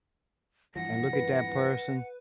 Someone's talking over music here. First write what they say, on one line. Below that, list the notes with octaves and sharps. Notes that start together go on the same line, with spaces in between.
and look at that person
G2 E3 F3 F#5 A#6
B4